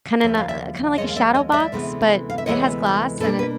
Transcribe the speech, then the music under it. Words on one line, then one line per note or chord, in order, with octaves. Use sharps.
kinda n uh, kinda, like, a shadow box, but it has glass and it
D#2 C#3 F3 E5
F5
D5 E5
D#2 C#3 F3 G#3 C#5 D#5
F5
D5 E5
C#5 D#5
D5 E5
D2 C3 E3 G#3 B3
F5
E5
D2 C3 E3 G#3 B3 C#5 D#5
B2 G3 A#3 D4 A4 B4
B4